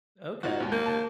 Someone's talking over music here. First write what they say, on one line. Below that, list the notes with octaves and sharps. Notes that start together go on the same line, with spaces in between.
Okay, ho
D#4 F4 F#4
D#2 G#2
A#3 G6
A5